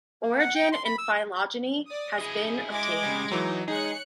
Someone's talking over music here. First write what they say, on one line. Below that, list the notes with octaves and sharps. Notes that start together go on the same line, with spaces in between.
Origin and phylogeny has been obtained.
A#3
F#5
G5
C6
B5
E6
D5 D#6
E4 G#4 D#5
G#3 D6 G#6 A#6
C#3 G3
E3 F#3 D#4
G#3 D#4 G#4 C#5 F#6 C#7